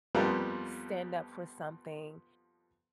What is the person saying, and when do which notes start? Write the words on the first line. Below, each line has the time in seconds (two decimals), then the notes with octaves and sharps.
stand up for something,
0.15 F2 B2 F3 G3 A#3 B3